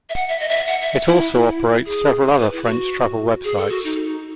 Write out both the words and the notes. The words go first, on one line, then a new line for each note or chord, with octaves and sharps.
It also operates several other French travel websites.
E5
F#5
E5
D#5
E5
F#5
E5
E4
G#4
B4
E4
F#4
G#4
A4
F#4
D#4